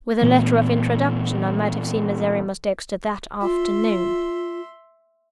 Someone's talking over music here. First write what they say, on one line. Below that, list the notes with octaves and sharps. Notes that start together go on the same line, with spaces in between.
With a letter of introduction, I might have seen Miserrimus Dexter that afternoon.
A#2 E3 A3 B3
F4 E5 C6